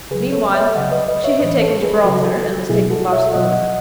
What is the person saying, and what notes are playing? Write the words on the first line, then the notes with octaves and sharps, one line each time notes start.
Meanwhile, she had taken Gibraltar, and was taking Barcelona.
C#3 F#3 G#4 B4
A4 C#5
C#5 E5
E5
C#3 F#3 D#5 F#5
B4 D#5
B4 D#5
C#5 E5
A2 E3 B4 D#5
A4 C#5
G#4 B4
C#3 F#3 F#4 A4
B2 F#3 E4 G#4
F#4 A4
C#5 E5
B2 F#3 D#5 F#5